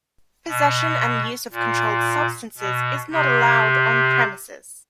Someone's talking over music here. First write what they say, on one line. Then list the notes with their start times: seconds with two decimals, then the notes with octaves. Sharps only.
Possession and use of controlled substances is not allowed on premises.
0.48 B2
1.52 A#2
2.57 B2
3.11 C3